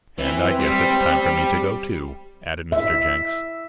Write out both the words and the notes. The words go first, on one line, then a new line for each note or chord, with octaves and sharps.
"And I guess it's time for me to go, too," added Mr. Jenks.
E3 C4
G3
E5